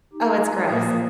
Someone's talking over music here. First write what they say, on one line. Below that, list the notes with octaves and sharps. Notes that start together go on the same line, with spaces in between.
oh, it's gross.
D#4 G4
A#2 F3 D#6